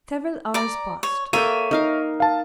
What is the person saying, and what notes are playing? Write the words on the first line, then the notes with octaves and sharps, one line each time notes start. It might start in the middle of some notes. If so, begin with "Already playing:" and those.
Several hours passed.
D5 A#5
C#5
A#3 A4 C#5 E5 G5 D#7
D#4 A#4 F5
F5 A5